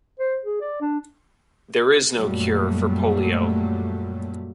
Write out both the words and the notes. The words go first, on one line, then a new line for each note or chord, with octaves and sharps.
There is no cure for polio.
C5
G#4
D5
D4
F#2 A#2 F#3 G3 A3